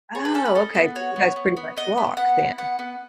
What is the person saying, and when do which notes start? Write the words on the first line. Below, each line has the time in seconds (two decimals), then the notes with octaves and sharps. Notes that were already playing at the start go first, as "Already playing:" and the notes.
Oh, okay, 'cause you guys pretty much walk then.
0.15 G#4 C#5
0.25 B4
0.34 C#4 A4
0.45 B4
0.55 A4 D#5
0.75 B3
0.95 F#4 C#5
1.16 B3
1.36 B3
1.57 B3
1.77 B3 D#5
1.97 B3
2.17 B3 F#5
2.38 E4
2.58 B3 F#5
2.79 B3